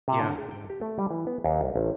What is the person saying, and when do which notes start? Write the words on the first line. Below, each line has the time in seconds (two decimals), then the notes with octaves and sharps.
Yeah, yeah.
0.08 C3
0.21 D3
0.38 G#4
0.51 G5
0.70 G4
0.81 A3
0.99 G3
1.11 E3
1.27 B3
1.44 D#2
1.61 C2
1.76 A1